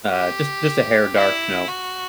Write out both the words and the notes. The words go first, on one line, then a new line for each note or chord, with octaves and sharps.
uh just just a hair dark no.
G4
E4
F#4